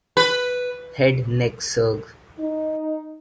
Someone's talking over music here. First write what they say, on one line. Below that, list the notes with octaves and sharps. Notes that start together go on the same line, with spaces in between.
Head Neck Surg.
B4
D#4